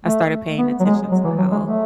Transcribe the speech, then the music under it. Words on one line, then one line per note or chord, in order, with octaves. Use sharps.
I started paying attention to how
A3
B3
F#3
G#3
F#3
E3
F#3
G#3
A3